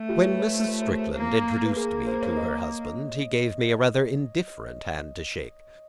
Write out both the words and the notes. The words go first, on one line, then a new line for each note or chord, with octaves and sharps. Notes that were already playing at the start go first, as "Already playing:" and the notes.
When Mrs. Strickland introduced me to her husband, he gave me a rather indifferent hand to shake.
Already playing: A3
F4 G4
B4 C#5
B4 C#5
C5
B4
A#4 C5
A#3
B4
A#3 G#4 A#4
A#4 C5
B4 C#5
C#5 D#5